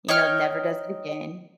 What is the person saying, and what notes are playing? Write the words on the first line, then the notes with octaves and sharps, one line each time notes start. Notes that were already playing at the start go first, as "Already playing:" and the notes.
you know, never does it again.
D#4 C#5 G5 F6